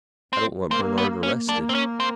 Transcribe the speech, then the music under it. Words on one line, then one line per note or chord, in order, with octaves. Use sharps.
"I don't want Bernard arrested."
C4
A#3 C4
B3
C#4
A#3 D4
C4
C#4
C4